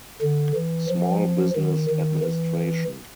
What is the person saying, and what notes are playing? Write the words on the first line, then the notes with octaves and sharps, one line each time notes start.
Small Business Administration.
D3
E3
F3
D#3
D#3
E3